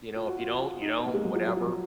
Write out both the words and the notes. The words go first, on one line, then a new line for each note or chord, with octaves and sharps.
you know, "If you don't, you don't, whatever."
F4
F#4
F4
F#4
F4
D#4
B3
A#3
G#3
F#3
F3
F#3
F3
F#3